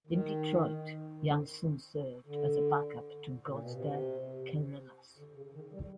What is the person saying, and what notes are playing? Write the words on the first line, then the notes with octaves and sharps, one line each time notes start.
In Detroit, Jansen served as a backup to Gosder Cherilus.
D#3
D3
A#2
B2
C3
D3
C#3
D#3
G3